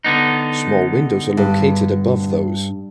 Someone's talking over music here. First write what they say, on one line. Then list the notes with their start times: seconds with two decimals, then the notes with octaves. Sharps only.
Small windows are located above those.
0.04 D3 B3 D#4
1.37 G2